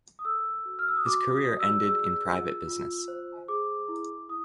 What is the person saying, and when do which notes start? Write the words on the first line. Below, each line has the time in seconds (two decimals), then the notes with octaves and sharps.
His career ended in private business.
0.19 D#6
0.25 A4 E6
0.65 F#4
0.79 F6
0.88 E6
0.97 D#6
1.06 F#4 D6
1.33 D#6
1.46 D5
1.59 E6
1.87 G#4 E6
2.27 F4
2.67 F4
3.08 C5
3.48 G#4 D6
3.88 E4
4.29 E4 D#6